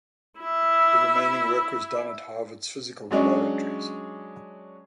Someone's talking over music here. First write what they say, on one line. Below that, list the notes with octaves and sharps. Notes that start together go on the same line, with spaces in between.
The remaining work was done at Harvard's Physical Laboratories.
E4 E5
F#3 G#3 C#4 D4